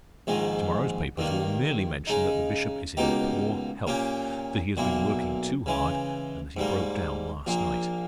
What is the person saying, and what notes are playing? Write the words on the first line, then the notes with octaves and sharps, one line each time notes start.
To-morrow's papers will merely mention that the Bishop is in poor health, that he has been working too hard, and that he broke down last night.
A#1 G#2 D#3 G#3
G2 D#3 A#3
C#3 G#3 D#4
C#2 B2 A#3 D#4 G4
A#2 A#3 C#4 G4
B1 A#2 A#3 E4
C#3 E3 G#3
G#2 G3 A#3
A#1 A#2 A#3